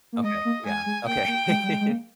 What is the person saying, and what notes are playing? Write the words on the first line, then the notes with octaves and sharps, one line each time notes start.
Okay, yeah, okay.
A#3
G#3 D#5
A#3
G#3 G#5
G#3
A#3 G5
A#3
G#3
G3
G#3
G#3
A#3